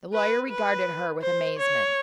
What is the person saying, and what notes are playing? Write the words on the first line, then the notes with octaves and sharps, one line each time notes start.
The lawyer regarded her with amazement.
B4
B4
C5
C#5